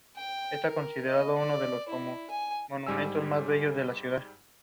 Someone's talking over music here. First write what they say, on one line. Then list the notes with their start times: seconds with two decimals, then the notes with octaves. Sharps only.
Russia also has longstanding concerns about plans to expand the North Atlantic Treaty Organisation.
0.16 G5
0.67 A#4
1.07 D#5
1.38 D5
1.89 E4
2.30 G#5
2.87 G#2 G3 G#5 E6